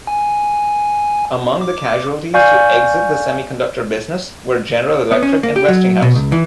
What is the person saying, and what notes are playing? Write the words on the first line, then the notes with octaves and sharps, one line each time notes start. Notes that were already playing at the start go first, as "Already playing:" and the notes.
Among the casualties to exit the semiconductor business were General Electric and Westinghouse.
G#5
D6
D5 F5 G#5 C#6 G6
B3
C#4
A#3
G4
F#3
B2
C#2
E3